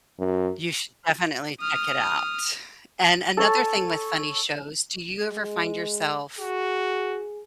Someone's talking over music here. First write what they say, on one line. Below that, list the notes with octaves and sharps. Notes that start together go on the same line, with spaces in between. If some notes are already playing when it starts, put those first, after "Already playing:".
You should definitely check it out. And another thing with funny shows do you ever find yourself
F#2
D#6 F6
A4 C#5 A5
G#3
F#4 G#4